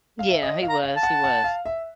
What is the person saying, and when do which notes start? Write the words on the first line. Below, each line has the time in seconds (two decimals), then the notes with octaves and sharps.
Yeah, he was, he was.
0.19 F5
0.30 E5
0.43 D#5
0.63 F5
0.70 A#5
0.83 F5
0.97 A5
1.03 F#5
1.24 F#5
1.44 F5
1.66 E5